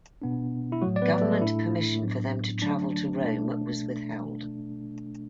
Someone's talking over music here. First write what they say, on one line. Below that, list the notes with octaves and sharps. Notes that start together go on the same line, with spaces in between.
Government permission for them to travel to Rome was withheld.
B2 B3 D4
E4
A2 F#3 A3 F#4
D5
B3 B4
A3 A4
A2 A3 D4 E4
A2 F#3 B3 D4
D3 F#3 A3 D4
B2 A3 D4